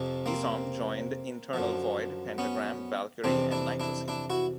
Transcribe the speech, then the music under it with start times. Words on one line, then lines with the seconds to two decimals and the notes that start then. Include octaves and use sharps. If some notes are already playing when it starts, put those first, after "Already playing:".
Isom joined Internal Void, Pentagram, Valkyrie and Nitroseed.
Already playing: F2 C3 F3
0.26 A#3 C4
1.53 F#2 D3 F3
2.38 B3 C#4
3.24 F2 C3 E3 C4 D4
3.51 D4 E4
3.80 D4 E4
4.08 D4 E4
4.30 E4 F#4